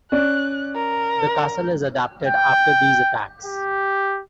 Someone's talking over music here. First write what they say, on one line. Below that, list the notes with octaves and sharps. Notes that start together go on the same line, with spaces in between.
The castle is adapted after these attacks.
C#4 D5 F#6
A#4
G5
G4